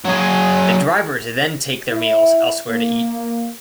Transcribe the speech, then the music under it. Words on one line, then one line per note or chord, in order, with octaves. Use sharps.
The drivers then take their meals elsewhere to eat.
F#3 G#4
E4
A#3